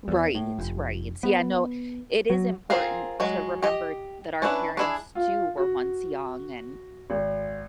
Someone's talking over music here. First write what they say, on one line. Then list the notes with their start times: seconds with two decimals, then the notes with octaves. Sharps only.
Right, right. Yeah, no, it is important to remember that our parents, too, were once young, and,
0.08 E2
0.35 A2
0.59 F1
1.23 B3
2.30 F#3
2.70 C4 F4 G#4 A#4
3.20 F#3 G#3
3.62 G4 D#5
4.42 C#4 D4 E4 B4
4.77 D4 E4 G#4
5.15 F4
5.57 F#4
7.10 G#1